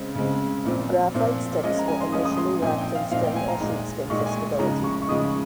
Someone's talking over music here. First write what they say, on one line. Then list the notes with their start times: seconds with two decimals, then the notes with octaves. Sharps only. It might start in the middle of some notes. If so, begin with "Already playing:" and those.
Graphite sticks were initially wrapped in string or sheepskin for stability.
Already playing: C#3 G#3 C4
0.15 C#3 G#3 C4
0.65 A#2 F3 C4 F4
1.14 A#2 F3 C4 F4
1.63 F3 G#3 C#4 F4 D#5
1.79 A#5
1.88 G#5
2.01 C6
2.12 F3 G#3 C#4 F4 D#6
2.25 D#6
2.38 C6
2.62 A#2 F3 C4 D#4 G#5
2.78 G5
2.95 F5
3.11 A#2 F3 C4 D#4 F5
3.24 G5
3.36 G#5
3.48 A#5
3.60 A#2 G#3 D#4
4.10 A#2 G#3 D#4 C#6
4.26 G#5
4.59 C#3 F3 G#3 D#4 A#5
4.84 C#6
5.02 C#6
5.08 C#3 F3 G#3 D#4 D#6